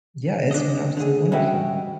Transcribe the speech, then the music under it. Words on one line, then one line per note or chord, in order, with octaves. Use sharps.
Yeah, it's been absolutely wonderful.
D4 D#5
D3 G#4
G3 C#4 F#4 D#5 E5 G5